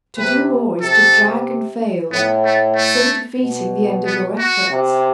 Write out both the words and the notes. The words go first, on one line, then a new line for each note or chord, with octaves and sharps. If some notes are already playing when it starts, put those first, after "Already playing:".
To do more is to drag and fail, so defeating the end of your efforts.
C3 B4
C3 A4
A2 B3
A3
A3
B2
B3
F#4
C3